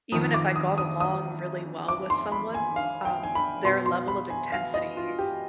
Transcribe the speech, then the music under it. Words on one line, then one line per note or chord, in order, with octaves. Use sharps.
even if I got along really well with someone, um, their level of intensity
F2 D#3 D#6
D6
D#6
D#6
D#6
D6
C6
B5
G#5
F5
G5
G#5
B5
B2 C6
C6
B5
G#5
F5
D#5
F4
G4